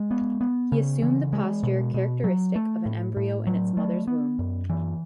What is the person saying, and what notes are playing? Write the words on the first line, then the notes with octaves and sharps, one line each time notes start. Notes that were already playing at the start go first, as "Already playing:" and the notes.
He assumed the posture characteristic of an embryo in its mother's womb.
Already playing: G#3
B3
B3
C#3
E3
G#3
B2
B2
F#3
A3
A2
A2
F#3
A3
B3
F#2
E3